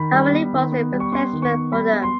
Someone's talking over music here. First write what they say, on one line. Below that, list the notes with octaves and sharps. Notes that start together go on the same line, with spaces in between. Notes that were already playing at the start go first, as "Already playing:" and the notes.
Tommy Lee was the replacement for them.
Already playing: D#3 B5
G3
B3
D#3
B3
G3
C#6
B3 C6
D#3
C#6
B3
G3 B5
B3
C6